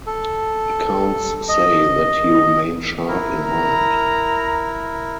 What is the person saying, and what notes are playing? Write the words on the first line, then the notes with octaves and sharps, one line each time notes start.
Accounts say that he remained sharp in mind.
A4
D#5
E4 A#4
A#5